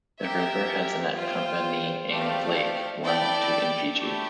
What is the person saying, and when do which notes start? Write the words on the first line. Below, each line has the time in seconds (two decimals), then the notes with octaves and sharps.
The river has an accompanying lake, one of two in Fiji.
0.21 G4 A#4 E5
1.15 F4 C5 G5
2.10 A3 C4 G4 D5 F5
3.04 E4 A4 D5 G5
3.99 A3 E4 G4 D5